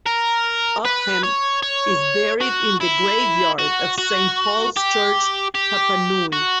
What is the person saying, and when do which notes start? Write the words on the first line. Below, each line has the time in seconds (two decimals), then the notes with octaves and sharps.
Upham is buried in the graveyard of Saint Paul's Church Papanui.
0.06 A#4
0.85 B4
1.23 C#5
1.63 C#5
2.41 F#4
2.81 E4
3.59 F#4
3.98 F#4
4.76 G4
5.55 G4
6.32 F#4